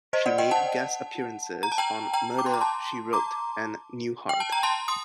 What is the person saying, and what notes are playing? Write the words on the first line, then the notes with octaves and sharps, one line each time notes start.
She made guest appearances on "Murder, She Wrote" and "Newhart".
C5 D#5
D5 F#5
D#5 G5
F#5 A5
A#5
A5
G5 A#5
G5 A#5
D6
C6
A#5
A5 C6
A#5 D6
G5
A5
A#5
A5 C6
C6 D#6